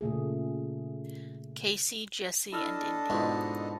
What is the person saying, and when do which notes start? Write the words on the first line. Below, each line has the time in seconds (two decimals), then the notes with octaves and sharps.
Casey, Jesse, and Indi.
0.01 A#2 C#3 A3 G#4
2.52 D4 E4 A4 D#5 E6 F6
3.10 G#2 B2 E4 F4